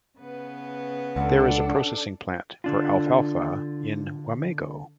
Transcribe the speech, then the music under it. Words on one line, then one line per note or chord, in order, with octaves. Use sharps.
There is a processing plant for alfalfa in Wamego.
C#3 B3 B4
C#2 D4 A4 F#5
D3 D4 F4